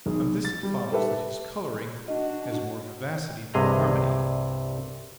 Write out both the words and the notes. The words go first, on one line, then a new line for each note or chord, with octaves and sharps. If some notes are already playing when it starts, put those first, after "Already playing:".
From this it follows that his colouring has more vivacity than harmony.
B1 G#4
A6
G3
G4 A4 B4 E5
D4 F#4 D#5
C2 G2 C3 G#4 D#5 A#5